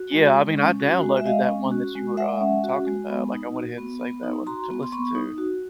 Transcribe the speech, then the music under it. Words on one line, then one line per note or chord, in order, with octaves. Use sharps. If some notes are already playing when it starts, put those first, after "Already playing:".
Yeah. I mean, I downloaded that one that you were, um, talking about. Like, I went ahead and saved that one to listen to
Already playing: F#4
G#3
G#3
C#4
F#4
G#3
E5
G#3 D#5 F5
C#4
F#4
G#3
G#3 E5 F#5
C#4
F#4
G#3
B3
D#4
F#4
B3
B3
D#4
F#4 A#5 C6
B3
C6
B3 B5 C#6
D#4
F#4